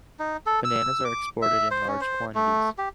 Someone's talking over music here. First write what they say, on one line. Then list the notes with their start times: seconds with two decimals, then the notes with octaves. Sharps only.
Bananas are exported in large quantities.
0.19 D#4
0.46 A4
0.65 E6
1.05 D6
1.42 E5
1.71 C5
1.88 C#4
2.01 C5
2.35 A3
2.78 G4